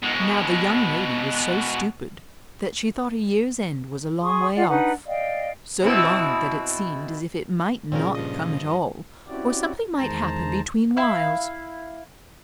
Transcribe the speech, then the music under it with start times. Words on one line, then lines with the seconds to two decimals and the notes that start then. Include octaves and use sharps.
Now the young lady was so stupid that she thought a year's end was a long way off--so long that it seemed as if it might not come at all, or something might happen between whiles.
0.03 B2 G#3
4.21 G#4 C6 C#6 D#6
4.55 F4 D5 F#5
4.67 D4 D#4 B4 F#5
5.06 D5 D#5 F5 G5
5.82 B2 C4 E4
7.92 A#2 C#3 C4 C#4 A#4
8.15 G2 F3 D#5
9.28 C4 C#4 E4 F#4 G4 D5
9.97 E2 D#3 G#3 C5 A5 A#5
10.97 E4 F5